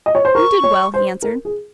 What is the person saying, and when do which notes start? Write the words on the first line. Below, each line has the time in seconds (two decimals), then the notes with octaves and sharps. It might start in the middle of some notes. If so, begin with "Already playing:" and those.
"We did well," he answered.
0.06 D#5
0.15 C#5
0.25 C5
0.34 A#4 C#6
0.64 C#5
0.94 C5
1.22 A#4
1.45 G#4